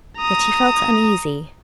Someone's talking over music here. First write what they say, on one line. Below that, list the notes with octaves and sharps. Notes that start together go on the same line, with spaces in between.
Yet he felt uneasy.
A#5 D#6